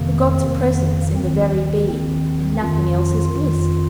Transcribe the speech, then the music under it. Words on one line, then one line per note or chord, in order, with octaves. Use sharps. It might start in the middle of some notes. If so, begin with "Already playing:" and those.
For God's presence in the very being, and nothing else, is bliss.
Already playing: F2 C3 D#3 A#3
F2 D#3
D#2 D#3 C4
D#2 D#3 C4
F2 D#3 F4
F2 D#3 F4